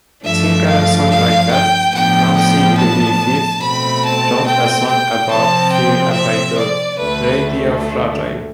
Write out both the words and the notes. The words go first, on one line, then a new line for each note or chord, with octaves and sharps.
Singer-songwriter Nanci Griffith wrote a song about Phil entitled "Radio Fragile".
G2 F3 A3 D4 E5
F5
F5
G5
A2 F3 B3 D4 G5
G5
A5
B2 A3 C4 B5
A5
G5
G5
C3 F3 C4 A5
G5
E5
D5
D2 D3 A3 B4